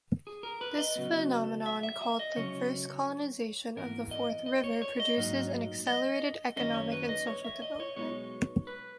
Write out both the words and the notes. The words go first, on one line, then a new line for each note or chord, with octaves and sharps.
This phenomenon called "The First Colonization of the Fourth River", produces an accelerated economic and social development.
G#4
A#4
B4
D#5
C#3 F#3 B3
E5
E5
E5
D#5
C#2 C#3 F#3 C#4 C#5
G#2 E3 B3 A#4
D#5
D#5
C#5
C#5
D#5
G#2 F#3 A#3 D#4
D#5
F#2 D#3 A#3 C#4 D#5
C#5
B4
D#5
C#5
E5
D#5
C#5
B1 B2 G#3 B3 D#4 C#5
B4